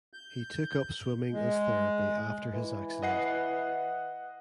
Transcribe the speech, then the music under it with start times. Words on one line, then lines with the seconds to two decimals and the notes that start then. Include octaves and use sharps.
He took up swimming as therapy after his accident.
0.13 G6
1.33 G#3
2.53 E3
3.03 D#5 F#5 C7